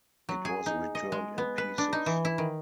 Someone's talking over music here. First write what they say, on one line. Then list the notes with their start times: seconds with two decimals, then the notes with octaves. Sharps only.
It was returned in pieces.
0.29 F#3
0.45 G#4
0.66 D#4
0.95 D#5
1.12 G#3
1.38 B3
1.58 B4
1.78 D4
1.93 D#4
2.06 E3
2.25 E4
2.38 D#3